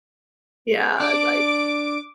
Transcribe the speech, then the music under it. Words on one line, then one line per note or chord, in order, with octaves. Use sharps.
yeah, like
D4 D6 D7